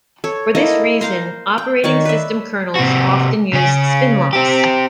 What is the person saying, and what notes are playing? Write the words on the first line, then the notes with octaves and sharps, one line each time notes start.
For this reason, operating-system kernels often use spinlocks.
A4 C#5
A#3 E4 A4 D#5
C5 F5 A#5 C6
G5
D#3 C#5 D5 C#6
B4 E5
C3 F#4
C#3 C#4
C4 G4